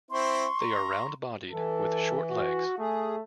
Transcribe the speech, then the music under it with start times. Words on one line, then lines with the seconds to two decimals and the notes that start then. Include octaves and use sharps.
They are round-bodied, with short legs.
0.11 C4 E4 C5 C6 C#6
0.60 A#5
1.51 E3 A4
2.30 F#4
2.79 A3 G#4